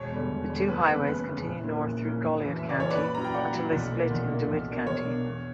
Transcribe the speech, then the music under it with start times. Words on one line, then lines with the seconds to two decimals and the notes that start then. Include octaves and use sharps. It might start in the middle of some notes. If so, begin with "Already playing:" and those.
The two highways continue north through Goliad County until they split in DeWitt County.
Already playing: E1 C#5
0.12 E2 D3 G3
0.31 E1
0.49 E2 D3 G3
0.68 F#1 B4
0.88 E2 C#3 B4
1.07 F#1 B4
1.26 E2 C#3
1.45 A#1
1.64 A#2 A#3 C#4 E4
1.83 A#1
2.02 A#2 A#3 C#4 E4
2.20 F#1
2.40 F#2 E3
2.59 F#1 E5
2.69 D5
2.78 F#2 E3 C#5
2.90 B4 D5
2.97 A#2
3.04 B5
3.15 F#3 C#4 E4 A#5
3.24 G5
3.34 A#2 D5 F#5
3.53 F#3 C#4 E4
3.72 B1
3.91 A#2 A#3 E4
4.11 B1
4.29 A#2 A#3 E4
4.48 B1
4.67 B2 A#3 D4
4.87 B1 C#5
5.05 B2 A#3 D4
5.24 E2